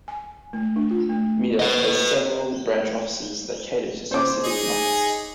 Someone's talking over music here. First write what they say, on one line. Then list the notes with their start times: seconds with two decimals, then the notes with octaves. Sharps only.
Midas has several branch offices that cater to specific markets.
0.08 G#5
0.53 A3
0.76 D4
0.91 F4
1.09 A3
1.59 B4 D#5
4.11 C5 C#5 D6
4.44 D#4 G#4 G#5